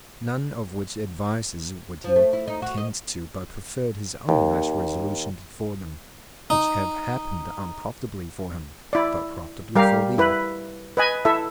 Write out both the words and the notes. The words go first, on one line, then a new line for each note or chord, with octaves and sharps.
None of which advises would he attend to, but preferred his own rash resolution before them, which have happened unprofitably for him, but profitably for thee.
F3
A3
E4
D#4
F#4
D#5
D#2
D#4
E4 D5
G3 G4 A#4 F5
E4 B4
B4 D#5 G#5
E4 A4 E5